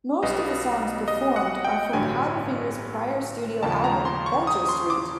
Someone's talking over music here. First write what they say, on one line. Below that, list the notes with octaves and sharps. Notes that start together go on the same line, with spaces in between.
Most of the songs performed are from Powderfinger's prior studio album; "Vulture Street".
B1 B2 G3 B3 D#5
D#5
F#5
G5
A1 G2 D3 F#3 G#5
D#2 C#3 F3 A5
A#5
C6
C#6
D#6
C6
D6